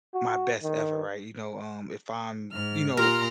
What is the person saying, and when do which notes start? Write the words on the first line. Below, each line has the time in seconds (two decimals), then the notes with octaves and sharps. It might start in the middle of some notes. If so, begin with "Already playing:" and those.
my best ever, right? You know? Um, if I'm, you know,
0.14 F#4
0.63 D#3
2.53 G#2 F6
2.97 A#2 F4 G4 A#4 A#5 C6 F6